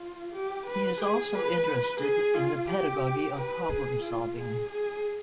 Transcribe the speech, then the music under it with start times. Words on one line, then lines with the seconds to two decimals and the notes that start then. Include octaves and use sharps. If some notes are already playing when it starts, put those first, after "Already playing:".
He is also interested in the pedagogy of problem-solving.
Already playing: F4
0.32 G4
0.67 B4
1.01 G#4
1.35 B4
2.01 G#4
2.34 F4
2.69 G4
3.36 B4
3.69 G#4
4.03 F4
4.37 G#4
4.70 G#4